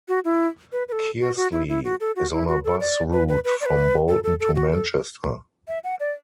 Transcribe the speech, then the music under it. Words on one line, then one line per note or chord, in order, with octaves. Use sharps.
Kearsley is on a bus route from Bolton to Manchester.
F#4
E4
B4
B4
A4
F#4
F#4
E4
E4
F#4
A4
F#4
E4
F#4
A4
D5
B4
B4
B4
D5
B4
A4
A4
A4
F#4
A4
E5
F#5
D5